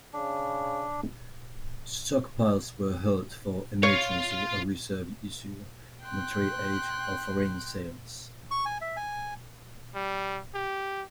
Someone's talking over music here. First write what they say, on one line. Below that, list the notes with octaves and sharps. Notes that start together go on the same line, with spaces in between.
Stockpiles were held for emergency or reserve issue, military aid, or foreign sales.
C#3 D4
F4 C#5 F5
G5 C6 F#6
C#6
G#5
E5
G#5
G3
G4